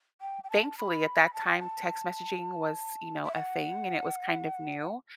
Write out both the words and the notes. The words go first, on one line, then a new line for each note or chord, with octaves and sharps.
thankfully, at that time, text messaging was, you know, a thing, and it was kind of new.
G5
G5
A5
B5
B5
A5
G5
A5
E5
F#5